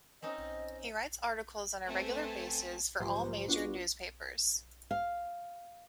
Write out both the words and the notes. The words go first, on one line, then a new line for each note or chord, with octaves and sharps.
He writes article's on regular basis for all major News Paper's.
C4 C#4 D#4 D#5
A3 B3 C4 C5 G#5 A5
D2 G#2 F3 F#3 G4 C5
B3 D4 F4 F#4
F5